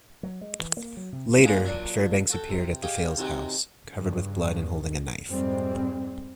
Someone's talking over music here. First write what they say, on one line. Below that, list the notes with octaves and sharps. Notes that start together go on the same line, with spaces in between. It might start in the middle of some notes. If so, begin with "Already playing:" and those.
Later, Fairbanks appeared at the Fales house, covered with blood and holding a knife.
F#3
G#3
E3
A#3
F#3
C3
G#3 A#3 C#4 D4 G#4 F5
A#2 F#3 D4
F#4 A4 G5
C3
G4 G#4 C#5 D#5 F5 G5
C3 D#3 F#3 G#3 F#4 G4
G2 C#3
F2 G#2 G3 G#3 C4